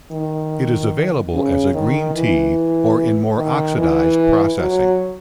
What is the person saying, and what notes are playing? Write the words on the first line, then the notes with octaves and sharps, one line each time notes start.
It is available as a green tea or in more oxidised processing.
D#3
C#3
D#3
E3
D#3
E3
F#3